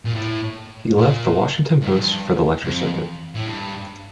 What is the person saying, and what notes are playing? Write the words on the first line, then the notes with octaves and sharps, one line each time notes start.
He left "The Washington Post" for the lecture circuit.
A#2
A2
A#2
G2
F2
G2
F2
A2
G2